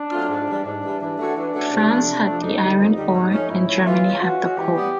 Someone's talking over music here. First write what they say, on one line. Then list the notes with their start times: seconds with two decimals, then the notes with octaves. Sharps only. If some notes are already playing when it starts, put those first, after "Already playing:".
France had the iron ore and Germany had the coal.
Already playing: D4
0.11 F#3 A3 C4 F4
0.28 G#2
0.47 E3 G3
0.64 G#2 D4
0.83 E3 G3
1.00 E3 D4
1.18 A3 C#4 F#4 A4
1.36 E3 D4
1.54 A3 C#4 F#4 A4
1.71 C3
1.89 F3 A3
2.07 C3
2.25 F3 A3
2.42 F2 D#4
2.61 D3 G3
2.79 F2 D#4
2.96 D3 G3
3.14 G#2
3.32 F3 A3 C#4
3.50 G#2 E4
3.67 F3 A3 C#4
3.85 E3 F4
4.03 G#3 C#4
4.21 E3 F#4
4.39 G#3 C#4
4.57 E3 G4
4.75 G3 B3